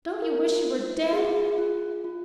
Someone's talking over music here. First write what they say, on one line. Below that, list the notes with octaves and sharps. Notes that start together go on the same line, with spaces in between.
Don't you wish you were dead?
A#4
F4
G#4
F4
G#4
F4
F4